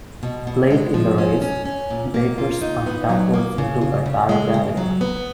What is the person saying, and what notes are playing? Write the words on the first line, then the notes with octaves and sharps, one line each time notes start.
Late in the race, Baker spun backward into a tire barrier.
B2
B2
G#3
F3
C#4
C#4
C#4
A#2
A#3
F4
D#4
B3
F#3
A#3
C#3
C#3
C#3
G#3
C#3
F#3
B3